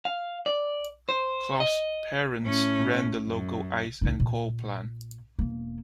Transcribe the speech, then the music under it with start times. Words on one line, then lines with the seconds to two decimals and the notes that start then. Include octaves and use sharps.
Clough's parents ran the local ice and coal plant.
0.05 F5
0.46 D5
1.09 C5
1.60 D#5
2.43 A2 C#4
3.27 F#2
4.01 C#2 D#4
4.20 A#2
5.39 E1 A#3